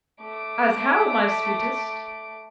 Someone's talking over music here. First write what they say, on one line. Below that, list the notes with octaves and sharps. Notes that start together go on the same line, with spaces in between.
"As how, my sweetest?"
A3 D6